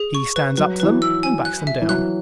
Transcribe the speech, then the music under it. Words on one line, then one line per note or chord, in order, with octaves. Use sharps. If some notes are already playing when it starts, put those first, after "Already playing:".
He "stands up to them" and backs them down.
Already playing: G#4
C#6
B4
F#3 B4
E3 B4
F#3
E6
G#5
F#6
E5
E3
F#3 F#6